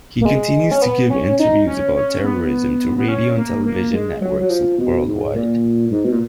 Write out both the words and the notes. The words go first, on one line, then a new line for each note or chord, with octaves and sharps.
He continues to give interviews about terrorism to radio and television networks worldwide.
A#3
G#3
C#4
B3
C#4
D#4
C#4
C#4
B3
B3
C#4
A#3
A#3
G#3
F#3
F#3
F3
B2
G#2
A#2
G#2
B2
A#2